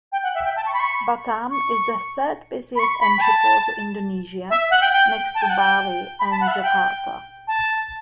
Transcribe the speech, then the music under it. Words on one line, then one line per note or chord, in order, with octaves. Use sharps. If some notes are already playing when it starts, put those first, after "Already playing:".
Batam is the third busiest entry port to Indonesia next to Bali and Jakarta.
G5
F#5
E5
G5
A5
C#6
B5
C#6
C#6
B5
C#6
B5
G5
A5
E5
F#5
G5
G5
A5
G5
F#5
G5
B5
A5
F#5
E5
F#5
G5
A5